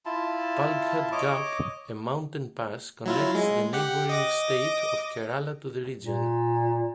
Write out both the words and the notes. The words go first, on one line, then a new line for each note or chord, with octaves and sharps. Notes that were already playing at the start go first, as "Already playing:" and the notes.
Palghat Gap, a mountain pass connects the neighbouring state of Kerala to the region.
E4 F4 A5
C#5 D#5 D6
F#3 E4 F4
G#3
G4 F#5
D#5 D6 A#6
A#2